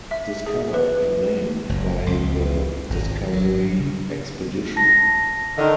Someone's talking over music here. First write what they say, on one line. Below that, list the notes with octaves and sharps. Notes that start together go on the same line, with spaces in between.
Discovered and named by the Discovery Expedition.
E5
G#4
B4
F#1
C#2
G#1
F#3
C#3
A5 A#6
D3 D#3 D#5